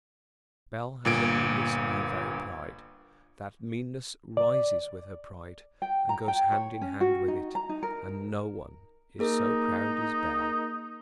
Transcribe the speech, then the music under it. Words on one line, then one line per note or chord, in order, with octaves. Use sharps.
Bell has a meanness in her very pride; that meanness rises with her pride, and goes hand in hand with it; and no one is so proud as Bell.
G1 A#2 D7
D5
G5
A#5
G5
C#5
C#4
F#4
D#4
A#5
D#4
A#4
A#3 D#4 G#4 A#4